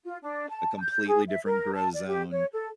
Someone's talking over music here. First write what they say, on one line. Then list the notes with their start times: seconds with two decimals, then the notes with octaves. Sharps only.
A completely different grow zone,
0.05 F4
0.22 D4
0.49 A5
0.81 G6
1.08 G#4
1.29 E5
1.46 A#4
1.74 A5
1.94 D5
2.07 G4
2.31 C#5
2.52 A4